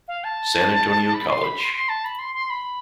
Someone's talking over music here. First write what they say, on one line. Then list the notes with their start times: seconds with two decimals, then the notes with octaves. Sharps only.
San Antonio College.
0.08 F5
0.24 A5
1.14 B5
1.29 C6
1.43 B5
1.59 C6
1.74 C6
1.89 A5
2.05 B5
2.19 C6
2.34 C6
2.50 B5